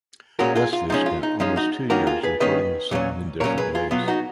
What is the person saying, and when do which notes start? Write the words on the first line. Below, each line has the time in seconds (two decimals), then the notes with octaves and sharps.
Wesley spent almost two years recording the song in different ways.
0.39 A#2 G#3 C#4 F#4 A#4
0.55 F4 G#4
0.73 F4
0.90 F3 G#3 C#4 D#4
1.06 F4
1.23 D#4
1.40 F3 G#3 C#4 D#4
1.56 D#4 F#4
1.90 D#3 A#3 C#4 F#4 A#4
2.07 F4 G#4
2.23 G#4 B4
2.40 D#3 A#3 C#4 B4 D#5
2.91 A#2 F#3 C#4
3.40 A#2 F#3 C#4 A#4 C#5
3.58 G#4 B4
3.75 F4 G#4
3.91 B2 F#3 B3 F4
4.08 D#4 F#4